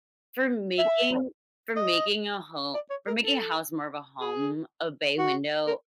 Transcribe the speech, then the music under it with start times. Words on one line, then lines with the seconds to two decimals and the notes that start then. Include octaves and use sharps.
for making for making a ho for making a house more of a home, a bay window
0.79 E5
1.76 D#5
2.74 D5
2.90 C#5
3.07 A#4
3.23 A4
4.21 G#4
5.19 F#4
5.67 A#4